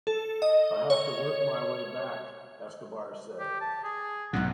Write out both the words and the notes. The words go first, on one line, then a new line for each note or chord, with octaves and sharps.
I have to work my way back, Escobar said.
A4
D#5
C#5
G4
A5
G#4
B1 G#2 C3 F#5